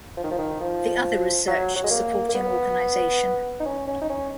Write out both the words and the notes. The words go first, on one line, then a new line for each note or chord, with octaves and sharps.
The other research supporting organization.
F3
D#3
F3
D#3
F3
F#3
F#3
G#3
A#3
A#3
B3
D#4
C#4
C#4
D#4
C#4